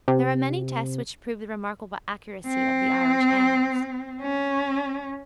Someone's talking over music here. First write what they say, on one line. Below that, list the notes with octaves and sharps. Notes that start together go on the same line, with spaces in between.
There are many tests which prove the remarkable accuracy of the Irish Annals.
C3
C4
C#4